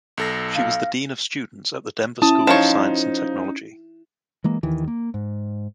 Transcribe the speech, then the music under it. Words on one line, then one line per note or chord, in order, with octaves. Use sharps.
She was the dean of students at the Denver School of Science and Technology.
B1 A4 A#6
F5
C#4 E4 A5 D#6
F3 D#4 F4 C#5 E7
E3 G#3 A#3
D#2 D#3 E3
A#3
G#2